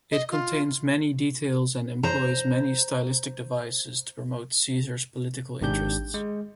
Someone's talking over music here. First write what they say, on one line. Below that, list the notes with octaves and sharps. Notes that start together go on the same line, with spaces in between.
It contains many details and employs many stylistic devices to promote Caesar's political interests.
D#5
F4
C5 A#5
G#1 G#2 D4 G4 G6
G#3